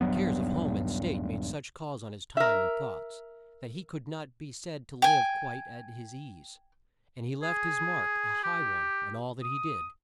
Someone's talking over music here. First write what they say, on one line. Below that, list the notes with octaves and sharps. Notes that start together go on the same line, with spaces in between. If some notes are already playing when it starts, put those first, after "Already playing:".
The cares of home and state made such calls on his time and thoughts, that he could not be said to live quite at his ease, and he left his mark--a high one--on all that he did.
D#1 G2 F#3 B3
A#4 E5
G5 G#5
G#4
G4
D#6